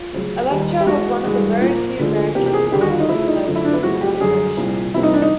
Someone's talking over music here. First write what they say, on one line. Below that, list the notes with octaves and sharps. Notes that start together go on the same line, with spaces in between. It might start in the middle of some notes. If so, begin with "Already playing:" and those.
Electra was one of the very few American teletext services in operation.
Already playing: F4
D2 C#3 F#3
D#2 D#3 G3
G4
G#2 E3 G#3 F#4
G2 E3 G#3
A#2 F3 A#3
D2 D3 F3 G#3
E2 C3 F3 A#3 G4
G4
G#4
G#4
D#2 D3 G3 A#3 G4
F#4
F4
D#4
D2 C#3 F3 A3 E4
D#4
F#2 D3 F3 A3
E4
D4
E4
F2 C#3 F#3 A3 F#4
G4
G4
F#2 D3 G3 G#4
C2 A#2 F3
F2 C3 E3 G3 A#3 E4
D#4
D4
D#4